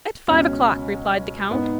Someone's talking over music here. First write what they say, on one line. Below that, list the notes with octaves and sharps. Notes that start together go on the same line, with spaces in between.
"At five o'clock," replied the count.
C#2 B2 C#4
G#1 G#2 D#3 B3